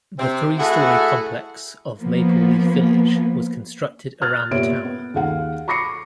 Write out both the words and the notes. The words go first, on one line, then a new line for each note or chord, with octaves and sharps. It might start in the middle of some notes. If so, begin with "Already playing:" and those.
The three-story complex of Maple Leaf Village was constructed around the tower.
C3 C4
A3 E4 F#4 G#4 A4 F#5
F3 A#3 B3
F6 F#6 G#6 A6
A#2 B3 G4 C#5 E5 D7
B3
D#2 G#4 F5 F#5
B5 C#6 D6 A#6 C7 C#7